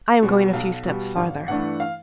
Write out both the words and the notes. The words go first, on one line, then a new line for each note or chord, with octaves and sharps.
"I am going a few steps farther."
B2 G3
B1 F5
B2 G3
G#1 F5
G2 E3 A3 D4 F#5
F5